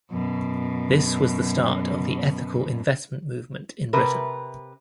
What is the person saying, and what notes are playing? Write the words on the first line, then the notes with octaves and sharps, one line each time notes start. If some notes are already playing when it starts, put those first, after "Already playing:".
This was the start of the ethical investment movement in Britain.
F#2 B2
C3 A#4 B4